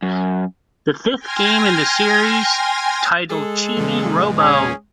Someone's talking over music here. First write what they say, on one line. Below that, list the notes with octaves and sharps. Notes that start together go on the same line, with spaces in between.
The fifth game in the series, titled Chibi-Robo!
F#2
G5 G#5 C6 F6 G#6 A#6
G#3 G#4 A4
E2 A#2 C#3
C#4 G#4